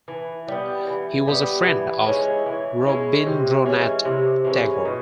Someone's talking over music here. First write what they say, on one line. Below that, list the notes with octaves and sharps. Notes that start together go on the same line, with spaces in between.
He was a friend of Rabindranath Tagore.
E3
G3 B3
E3
G3 B3
E3
G#3 C#4 E4
E3
G#3 C#4 E4
C3
E3 G#3 C#4
C3
E3 G#3 C#4
B2